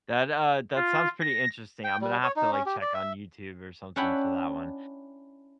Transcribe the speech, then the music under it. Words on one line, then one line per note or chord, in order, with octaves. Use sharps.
that, uh, that sounds pretty interesting, I'm gonna have to, like, check on YouTube or something for that one,
F4
A#6
G5
G3
C#5
D#4
C#4
G4
D5
E5
C#4 D4 E4 F#5 G5 B5